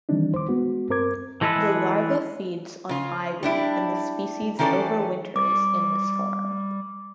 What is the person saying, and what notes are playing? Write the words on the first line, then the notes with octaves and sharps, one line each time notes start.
The larva feeds on ivy and the species overwinters in this form.
D#3 E3 G3 C4 D4 D#4
C5 D6
G#3 B3 F#4
G2 C4 A#4 C5 D6 G#6
E3 G#3 A4 B4 E5
C#3 F4
G3 D4 E4
D#3 E3 C#4 A4 D5
G3 D6